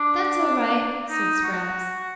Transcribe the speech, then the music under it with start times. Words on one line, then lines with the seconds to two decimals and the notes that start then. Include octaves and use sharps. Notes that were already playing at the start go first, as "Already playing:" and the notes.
"That's all right," said Scraps.
Already playing: D4
1.10 D#4
1.44 F#4